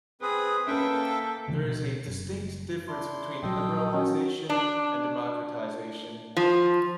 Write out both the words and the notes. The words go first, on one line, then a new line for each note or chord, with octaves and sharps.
There is a distinct difference between liberalization and democratization.
C4 G#4 B4 D#6
A#3 C#4 A4 B4 E5 G5
D2 C#3 E3 F3
B2
F#1
D4 E4 C6
A#1 F#3 A4 D#5 G5
C#4 F#4
D4
F3